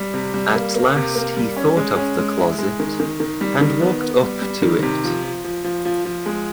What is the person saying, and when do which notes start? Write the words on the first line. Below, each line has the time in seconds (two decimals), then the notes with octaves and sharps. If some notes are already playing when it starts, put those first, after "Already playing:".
At last he thought of the closet, and walked up to it.
Already playing: G3
0.14 C3
0.34 G3
0.55 A#3
0.76 A#3
0.96 C3
1.15 A#3
1.37 G3
1.57 C#4
1.77 G#3
1.97 C#4
2.18 G#3
2.38 E4
2.58 G#3
2.80 D#3
3.00 D#3
3.20 D#3
3.41 G3
3.61 D#3
3.81 B3
4.01 B3
4.22 G3
4.42 G3
4.62 D#3
4.82 C3
5.04 F3
5.24 F3
5.44 F3
5.64 F3
5.85 F3
6.05 F3
6.26 G#3